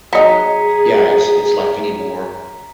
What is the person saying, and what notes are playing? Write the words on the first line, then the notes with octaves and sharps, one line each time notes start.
yeah, it's it's like anymore
F#3 D#4 G#4 A#5 B6 C#7